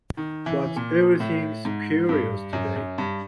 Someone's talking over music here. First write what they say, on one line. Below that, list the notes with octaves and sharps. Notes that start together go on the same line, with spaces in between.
But everything’s curious today.
D#3
E3
A#2
A2
G#2
G2
F#2
F#2
G2